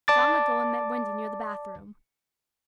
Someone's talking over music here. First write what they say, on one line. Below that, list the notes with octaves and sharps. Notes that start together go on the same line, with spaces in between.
John let go and met Wendy near the bathroom.
D5 A5 D6 A6